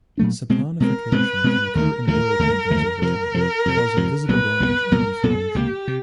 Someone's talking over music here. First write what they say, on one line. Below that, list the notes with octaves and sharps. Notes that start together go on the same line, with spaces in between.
Saponification can occur in oil paintings over time, causing visible damage and deformation.
A#2 F#3 A3 D4
B2 G#3 C4
B2 G#3 C4 A#4
B2 G#3 C4 B4
B2 G#3 C4
D#2 D3 F3 A3 A#4
D#2 D3 F3 A3 A#4
D#2 D3 F3 A3
D#2 D3 F3 A3
F2 C3 F3 A#4
F2 C3 F3
F2 C3 F3
F2 C3 F3
C2 A#2 F#3 B3 B4
C2 A#2 F#3 B3
C2 A#2 F#3 B3 A#4
C2 A#2 F#3 B3 A4
C#2 C3 F3 A#3 G4
C3